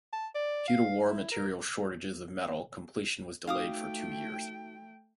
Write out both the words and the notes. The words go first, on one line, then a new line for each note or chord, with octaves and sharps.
Due to war material shortages of metal, completion was delayed for two years.
A5
D5
F5
E4
A#4
A3 D#4 F#4 F5 G5 D6 D#6